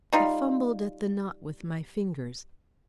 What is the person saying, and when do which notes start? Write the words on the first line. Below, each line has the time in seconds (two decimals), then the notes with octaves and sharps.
I fumbled at the knot with my fingers.
0.13 G3 D#4 F4